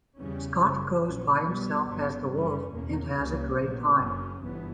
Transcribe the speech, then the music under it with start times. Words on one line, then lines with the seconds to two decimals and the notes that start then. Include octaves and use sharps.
Scott goes by himself as the Wolf and has a great time.
0.18 E2 C#3 E3 G3 C#4
0.61 F#1 F#2 C#3 G3
1.04 A#1 A#2 F#3 C#4
1.45 B1 B2 G3 B3
1.88 G1 G2 F#3 B3
2.30 F#1 F#2 C#3 G3 C#4
2.73 E2 B2 A#3 C#4
3.15 C#2 C#3 G3 A#3 C#4
3.57 A#1 A#2 F#3 B3
3.99 F#1 F#2 C#3 F#3 C#4
4.42 G1 G2 E3 B3